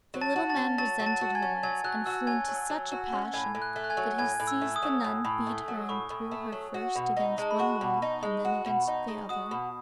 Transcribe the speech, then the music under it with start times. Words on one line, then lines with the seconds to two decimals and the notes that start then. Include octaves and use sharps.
The little man resented her words, and flew into such a passion that he seized the nun, beat her, and threw her first against one wall and then against the other.
0.14 F#3
0.21 A5 A6
0.36 F#4
0.50 A5 A6
0.57 C#4
0.78 F#3 A5 A6
1.00 F#3
1.06 A5 A6
1.21 F#4
1.35 G#5 G#6
1.42 C#4
1.63 F#3 G#5 G#6
1.84 F#3 F#6
2.06 F#4 E6
2.27 C#4 G#5 G#6
2.48 F#3
2.70 F#3
2.92 F#4
3.12 C#4
3.34 A2 G#5 G#6
3.55 A2
3.62 F#6
3.76 A3
3.84 F#6
3.90 G#5 G#6
3.97 F#3
4.18 A2 G#5 G#6
4.40 A2
4.47 E6
4.61 A3
4.76 D#6
4.83 F#3
5.04 A2
5.25 A2
5.47 A3
5.68 F#3
5.89 A2 C#6
6.10 A2
6.31 A3
6.52 F#3
6.74 F#4
6.95 B2
7.17 D#4
7.38 G#3 A5
7.51 B5
7.59 F#4 C#6
7.81 B2
8.02 D#4
8.23 G#3
8.45 F#4
8.66 B2
8.87 D#4
9.08 G#3
9.29 F#4 D#6
9.51 B2